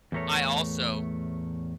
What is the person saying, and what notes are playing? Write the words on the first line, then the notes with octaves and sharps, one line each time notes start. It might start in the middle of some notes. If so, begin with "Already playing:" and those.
I also
E2 A2 A3 A#4 C#5